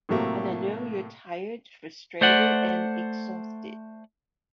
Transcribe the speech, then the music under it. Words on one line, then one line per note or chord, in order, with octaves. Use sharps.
And I know you’re tired, frustrated, and exhausted.
A2 C3 F#3 A3 A#3
A3 C5 D5 F#5